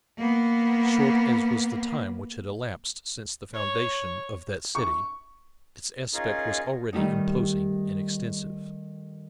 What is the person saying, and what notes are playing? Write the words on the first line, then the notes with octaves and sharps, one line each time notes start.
Short as was the time which had elapsed since the foundation of that city, its aspect was already imposing and extensive.
A#3 B3
C#5
C#6
C#4 D#4 F4 G#4 A#4
D#3 G3 A3 D#4